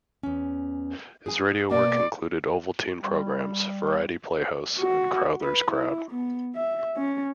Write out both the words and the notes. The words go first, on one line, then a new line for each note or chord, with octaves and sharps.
His radio work included Ovaltine programmes, "Variety Playhouse" and "Crowther's Crowd".
E2 C#4
G#4 G#5
B2 A#3 D5
G3
F#4
B4
E4
B3
E5
C#4